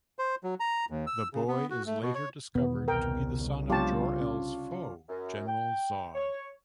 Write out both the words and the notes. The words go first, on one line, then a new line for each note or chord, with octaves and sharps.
The boy is later discovered to be the son of Jor-El's foe, General Zod.
C5
F#3
A#5
D#2
E6
C#3
B3
F#4
A3
B2
C#5
E2 B2 D#3 B3
C2 C#3 A#4 G5
F#3 G#3 B3 D4 F4 G4 C#5 A5
C#4
F#2
G5
C#5